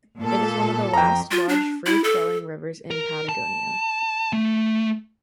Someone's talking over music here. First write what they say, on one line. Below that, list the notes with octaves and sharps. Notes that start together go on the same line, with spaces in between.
It is one of the last large free-flowing rivers in Patagonia.
A#2 A4
F2 G5 A#5
F4
D4
E4
A4
A#4
A5
A3